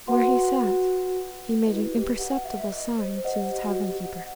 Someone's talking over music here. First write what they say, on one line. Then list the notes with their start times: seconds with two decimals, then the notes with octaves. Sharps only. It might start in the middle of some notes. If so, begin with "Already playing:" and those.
From where he sat he made an imperceptible sign to the tavern-keeper.
0.07 F#4 B4 F#5 C6
1.65 E4 F#4 B4 D#5
1.91 G4
2.18 F#5
2.34 F#5
2.45 E5
2.71 D#5
2.97 C5
3.24 C5 D#5 F#5
3.44 G4
3.63 F#4
3.83 G4
4.03 F#5